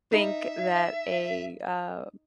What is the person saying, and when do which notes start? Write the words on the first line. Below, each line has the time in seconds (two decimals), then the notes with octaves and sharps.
think that a, uh,
0.12 D#4 E5